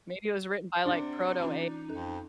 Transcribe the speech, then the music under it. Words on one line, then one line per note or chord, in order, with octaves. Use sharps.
Maybe it was written by, like, Proto AI,
C3 D4 F#5
E3 C#4 D#4 F4
F2 C#4 A4